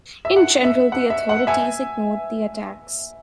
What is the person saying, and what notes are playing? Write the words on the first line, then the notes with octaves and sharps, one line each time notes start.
In general the authorities ignored the attacks.
E5
F#5
E5
F#5
E5
F#5
E5 G#5